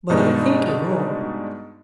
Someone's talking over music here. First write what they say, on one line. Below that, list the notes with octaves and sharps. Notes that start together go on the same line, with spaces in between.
But I think you're wrong.
G2 B2 G#3 D4 D#4